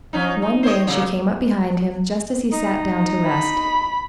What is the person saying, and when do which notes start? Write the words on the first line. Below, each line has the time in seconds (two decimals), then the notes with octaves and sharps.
One day she came up behind him just as he sat down to rest.
0.13 F3 C#4 D#4
0.42 D#4
0.63 C5 C#5 D#5
0.88 A#2 C#3 F3
2.53 D#4
3.28 B5